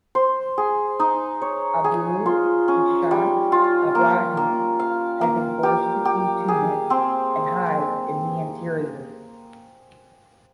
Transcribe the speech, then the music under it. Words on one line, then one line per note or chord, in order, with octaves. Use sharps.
Abu Ishaq Ibrahim had been forced to flee Tunis and hide in the interior.
C5
G#4
D#4
C#5
G#4
F4
C#4
G3
F4
A#3
A#3
F5
A#3
G4
G4
G#4
C4